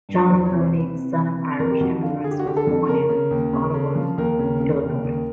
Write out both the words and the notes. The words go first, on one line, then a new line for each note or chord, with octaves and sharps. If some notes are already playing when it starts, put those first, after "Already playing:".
John Looney, son of Irish immigrants, was born in Ottawa, Illinois.
G2
E2 C5
C3 C#5
C5
C3
B4
C3
C3
C3
F2 A#4
G4
F2 F#4
D3 F4
D3 G#4
G4
F#4
D3 G4
A4
F2
C#3 A#4
C#3
D#2
C#3
C#3
F3
D#2 A#4
C#3
C#3
D#2
D#2